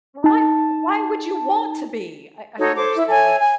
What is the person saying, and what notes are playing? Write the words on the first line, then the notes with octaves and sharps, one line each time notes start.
Why why would you want to be? I I don't understand it.
D#4 A5
D#4 F#4 A4 C#5
A4 C5 D6
E4 E5
A4 C#5 E5 G#5
G#5